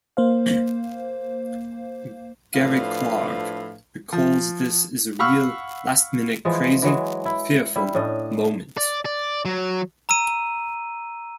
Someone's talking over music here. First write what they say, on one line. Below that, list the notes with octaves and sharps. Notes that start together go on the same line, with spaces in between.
Gary Clark recalls this as a real last-minute crazy, fearful moment...
A#3 C5 F5
A2 F3 D4 B4 F5
F3
F5 F#5 B5 C#6 E6 F6
E3 F3 G#3
E3 F#3 G#3
E4
G3 E4
A2 C#4 D4 D#5
D5
D5
F#3
A#5 E6 D#7